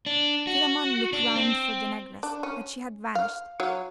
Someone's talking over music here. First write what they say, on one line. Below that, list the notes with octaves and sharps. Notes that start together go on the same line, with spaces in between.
Philammon looked round for the negress, but she had vanished.
D4
F#4
D4
C4
D4
C#4
F5
F#3 C#5 F5